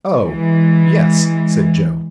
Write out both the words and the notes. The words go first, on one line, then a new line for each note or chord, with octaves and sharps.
"Oh, yes," said Joe.
E3 G#3